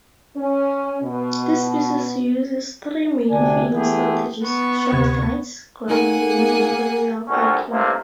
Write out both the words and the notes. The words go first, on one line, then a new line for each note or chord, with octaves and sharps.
This species uses three main feeding strategies: short flights, ground feeding and aerial hawking.
C#4
B2
D2 C3 D4 D5 G#5
E3 A3 B3 E4 G4 G#4
B3 C#6
D2 C3 G#6
A3 A#3 D#4 G#4 A#4 F#5 G#5
C2 A#2 D3 C#4 F#4
A1 G2 C3 A#3